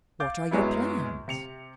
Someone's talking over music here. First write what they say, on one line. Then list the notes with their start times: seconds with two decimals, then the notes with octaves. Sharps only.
What are your plans?
0.20 F5 D6 G6 A6
0.51 F#2 F#3 G#3 B3 E4
1.28 C3 C#7 F7